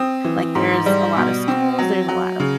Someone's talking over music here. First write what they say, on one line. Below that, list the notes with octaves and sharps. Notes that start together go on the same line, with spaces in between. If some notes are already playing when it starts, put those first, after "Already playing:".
Like, there's a lot of schools, there's a lot of
Already playing: C4 D#6
E3
G#2
G3
B2
C4
F#3
F#3
C#3